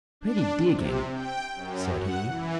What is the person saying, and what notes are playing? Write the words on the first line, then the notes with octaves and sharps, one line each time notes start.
"Pretty digging!" said he.
D4
C3
G5
F#2
F#5
E3